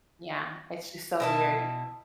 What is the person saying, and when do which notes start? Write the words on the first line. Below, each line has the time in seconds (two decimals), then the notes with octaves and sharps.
Yeah, it's just so weird.
1.20 B2 E4 A5